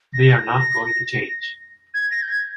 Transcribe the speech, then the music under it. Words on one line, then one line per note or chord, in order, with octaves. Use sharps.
They are not going to change.
A#6
G#6
A#6
G6
G#6